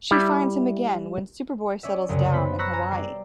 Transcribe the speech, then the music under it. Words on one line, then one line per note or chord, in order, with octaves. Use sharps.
She finds him again when Superboy settles down in Hawaii.
G3 E4 E5
C#4 D5 E5
C2 F#2 C#3
B3 C5 B5
A#5 B5 C#6 E6 F#6 A#6
G#5 A#5
G3 D5 C7